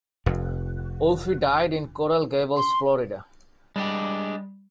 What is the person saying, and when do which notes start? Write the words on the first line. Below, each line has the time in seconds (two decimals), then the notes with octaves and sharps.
Wolfe died in Coral Gables, Florida.
0.26 F1 F2
2.56 C6
3.76 G3 G#3 D4 G4